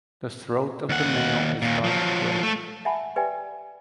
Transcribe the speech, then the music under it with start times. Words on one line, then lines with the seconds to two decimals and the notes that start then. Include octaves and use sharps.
The throat of the male is dark grey.
0.89 D#2 F#5
1.62 D#2 A#2
1.84 F3 F#3
2.43 A3
2.85 E5 F#5 G#5 A5 B5
3.16 G4 B4 D5 E5 G5 G#5